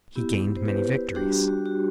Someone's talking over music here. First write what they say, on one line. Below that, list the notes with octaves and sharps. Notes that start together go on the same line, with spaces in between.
He gained many victories.
B3 E4 G4
C5
G4 B4
G3 D4 F#4 G4
G4
F#4
F#4